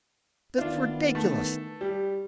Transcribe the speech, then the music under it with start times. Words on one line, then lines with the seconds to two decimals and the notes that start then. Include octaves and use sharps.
That's ridiculous.
0.58 D#3 E3 B3 D4 F4
1.15 A3 A5
1.81 G3